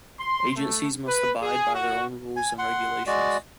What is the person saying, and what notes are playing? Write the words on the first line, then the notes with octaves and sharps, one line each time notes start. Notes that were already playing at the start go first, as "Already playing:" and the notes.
Agencies must abide by their own rules and regulations.
C6
A3
B4
G#4
F#4
G#5
F#5 C6
G#3 F#4 D5